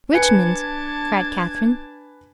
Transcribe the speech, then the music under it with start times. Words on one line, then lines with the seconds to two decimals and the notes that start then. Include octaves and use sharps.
"Richmond!" cried Catherine.
0.13 D4 B4 G#5 A5 G#6 C#7